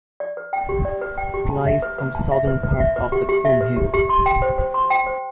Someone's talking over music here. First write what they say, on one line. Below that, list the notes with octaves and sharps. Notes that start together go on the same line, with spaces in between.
It lies on the southern part of the Chlum hill.
D5
B4
G5
G4
D5
B4
G5
G4
A5
E5
B4
B4
A5
E5
B4
B4
E5
B4
G4
G4
E5
B4
G4
G4
C6
G5
C5
C5
C6
G5
C5